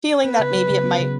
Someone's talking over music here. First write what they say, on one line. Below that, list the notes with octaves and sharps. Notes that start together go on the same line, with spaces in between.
feeling that maybe it might
B3 B4
C#3
F#3
C#3
B3
C#3